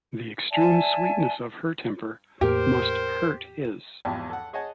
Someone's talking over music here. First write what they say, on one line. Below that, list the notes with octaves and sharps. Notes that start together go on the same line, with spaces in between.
The extreme sweetness of her temper must hurt his.
D5 E5 G#5 A5
E2 A2 A#3 G4 A#4 C5
G#1 E2 F3 G4 A5
A4 F#5
G#4 C#5 D#5 F#5 G#5 A5